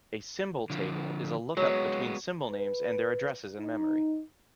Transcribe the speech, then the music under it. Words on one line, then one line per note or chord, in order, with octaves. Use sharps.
A symbol table is a look-up between symbol names and their addresses in memory.
D3 F3
F#3 G#3 B3 C#5
B4
D#4